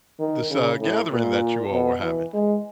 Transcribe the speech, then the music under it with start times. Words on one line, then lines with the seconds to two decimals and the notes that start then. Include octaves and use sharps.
this, uh, gathering that you all were having.
0.19 D#3
0.50 C#3
0.81 A2
1.12 A#2
1.73 B2
2.02 E3
2.33 G#3